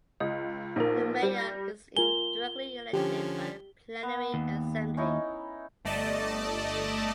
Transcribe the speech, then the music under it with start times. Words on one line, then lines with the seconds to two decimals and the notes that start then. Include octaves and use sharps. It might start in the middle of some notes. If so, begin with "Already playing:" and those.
The mayor is indirectly elected by the plenary assembly.
0.20 C#2 D#5
0.76 A#1 D#4 A#4
1.22 G3
1.38 A#6
1.97 F4 A#4 G#5 G7
2.93 D3 F3 C#4 G4
4.03 B3
4.34 D#2
4.97 C#4 D#4 E4
5.85 G1 A3 D5 D#5 A5